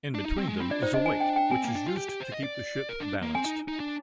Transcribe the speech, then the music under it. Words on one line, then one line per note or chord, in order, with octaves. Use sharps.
In between them is a weight, which is used to keep the ship balanced.
D4
D#4
C4
G#3
C4 F4
D4 D5
D#4 C5
D4 D#5
G#5
G5
G5
C4 G#5
A#3
D4
F4
G4
G4
C5
D#5
D5
A#4
D4
A#3
C4 G#5
D#4
D#4
D4